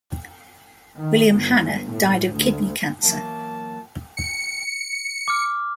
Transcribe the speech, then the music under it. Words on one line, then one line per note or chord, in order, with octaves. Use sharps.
William Hannah died of kidney cancer.
D#3
G1
A2
D2
E3 F#3 A#3 A5
C#7
D6 F6